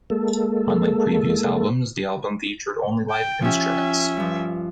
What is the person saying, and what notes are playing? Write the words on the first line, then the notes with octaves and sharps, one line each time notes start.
Unlike previous albums, the album featured only live instruments.
G#3 A#3 A4
G5
F3 C#4 G4 E5
G2 F3